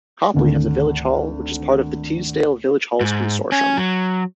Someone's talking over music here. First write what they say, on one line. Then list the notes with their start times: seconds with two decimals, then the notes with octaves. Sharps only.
Copley has a Village Hall which is part of the Teesdale Village Halls' Consortium.
0.34 G#1 D2
3.01 G#2
3.52 C#4
3.77 F#3